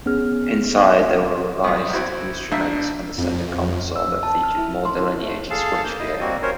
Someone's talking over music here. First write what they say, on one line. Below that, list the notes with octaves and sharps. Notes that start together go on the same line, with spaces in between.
Inside, there were revised instruments and a centre console that featured more delineated switchgear.
B3 C#4 G#4 F6
C2 F#2 D#6
C4 E4 F#4 G#6
A#1 D4 E5
F2
E6
A5
F6
E4
C6
A3
G#4 A4 F5 A5
A#3 G6
E4 D#5
G3 A#3 C4 F#4
C#4 A#4 C5 C#5